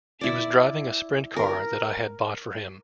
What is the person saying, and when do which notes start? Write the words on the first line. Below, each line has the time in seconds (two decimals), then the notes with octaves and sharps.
He was driving a sprint car that I had bought for him.
0.21 E4 D5
1.36 A#4